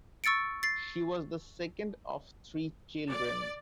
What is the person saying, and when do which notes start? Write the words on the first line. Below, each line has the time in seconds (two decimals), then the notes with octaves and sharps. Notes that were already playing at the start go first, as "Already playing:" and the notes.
She was the second of three children.
0.24 C#6 E6 A6 C#7 D7
0.63 A6 C7
3.10 D5